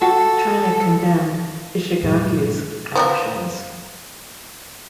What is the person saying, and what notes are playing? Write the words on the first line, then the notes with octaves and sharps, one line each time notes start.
China condemned Ishigaki's actions.
F#4 A4
G2 A#2 F#3 G#3
F3 B3 A#4